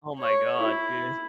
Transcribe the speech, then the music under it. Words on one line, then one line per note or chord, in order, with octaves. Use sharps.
Oh my god, dude.
C#5
E4